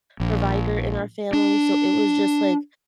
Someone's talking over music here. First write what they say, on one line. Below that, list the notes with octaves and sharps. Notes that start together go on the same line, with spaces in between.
provider in our family, so it was just, like,
A#1
D4